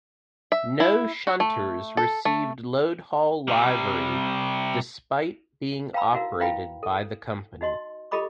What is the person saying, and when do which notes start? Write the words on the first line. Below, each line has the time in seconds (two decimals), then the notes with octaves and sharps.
No shunters received Loadhaul livery despite being operated by the company.
0.52 E5
0.80 E4
1.27 F#4
1.40 A3
1.97 A4
2.25 A3
3.48 C3 G3
5.93 B4 F5 G5 A#5 B5 E6
6.13 D#4 E4 F#4 A#4 F5
6.40 E4 B4 F5 G5 B5
6.83 A4
7.61 D#4 F#4 D#5 C6
8.11 F4 G4 A4 D#5 B5 D6